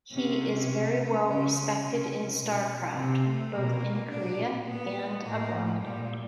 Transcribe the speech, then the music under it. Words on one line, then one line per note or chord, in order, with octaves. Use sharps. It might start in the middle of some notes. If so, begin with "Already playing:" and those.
He is very well respected in StarCraft both in Korea and abroad.
C3 C#4
C#3 C#4
C3 C#4
B2
C3 C4
A3
B2 A#3
A#2 D4
B3
A2 A#3
A2 F3
A#2 G3